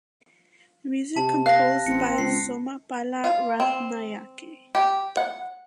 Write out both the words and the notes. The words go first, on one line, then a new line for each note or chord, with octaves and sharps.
Music composed by Somapala Rathnayake.
C3 A5
F5 F#6 A#6
A1 C4 C#7
C#2 C7
F4
C4
G4
F#5